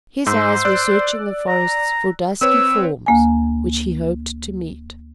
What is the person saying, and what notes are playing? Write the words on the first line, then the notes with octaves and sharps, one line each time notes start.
His eyes were searching the forests for dusky forms, which he hoped to meet.
G#2 C5 E6
D5 E6 F#6
A#5
C4 B4 C#5 E6
D2 A#3 G#5